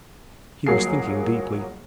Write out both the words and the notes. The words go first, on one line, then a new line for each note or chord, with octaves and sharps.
He was thinking deeply.
G1 F#3 A#3 G#4 C7